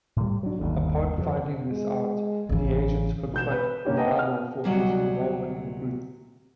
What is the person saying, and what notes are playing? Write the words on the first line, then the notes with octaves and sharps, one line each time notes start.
Upon finding this out, the Agents confront Namor for his involvement in the group.
A2 G3
F#3 D4
G1 D#2 D3
F2 C#3 F3
G#3
A1 C#3 E3
E1 G6 E7
B4
G1 A#3 C#4 G4
B4 D#5 F#5 G5 A5
F6
D2 C3 F#3 G3 F#4 D#5